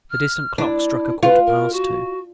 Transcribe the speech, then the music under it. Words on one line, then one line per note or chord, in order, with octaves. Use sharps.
The distant clock struck a quarter-past two.
F6
D4 E4
F4 B4
A#4
F#4